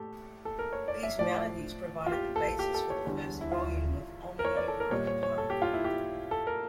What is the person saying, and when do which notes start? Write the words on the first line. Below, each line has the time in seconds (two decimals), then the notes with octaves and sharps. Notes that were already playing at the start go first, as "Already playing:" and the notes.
These melodies provided the basis for the first volume of "On an Overgrown Path".
Already playing: A2 G4 A4
0.45 A4
0.59 A#4
0.73 C#5
0.88 D5
1.03 E5
1.19 A2 F3 D5
2.06 F4
2.12 G4
2.36 A4
2.59 G4
2.74 A4
2.90 C#5
3.05 E2 D3 G3
3.41 E4
3.52 F4
4.39 A#4
4.45 C#5
4.57 D5
4.68 A4
4.80 A#4
4.91 A#2 G3 C#5
5.07 C#5
5.23 C#5
5.38 A4
5.50 G4
5.62 F4
5.73 E4
5.84 G4
6.31 A4
6.47 A#4